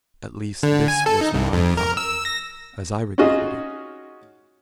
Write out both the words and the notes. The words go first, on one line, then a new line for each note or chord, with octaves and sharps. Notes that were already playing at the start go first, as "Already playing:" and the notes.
At least this was my thought as I regarded it.
D3
G#5
A4
D#4
C2
F2
A#4
E6
A#6
C#4 D#4 F4 F#4 G#4 D#5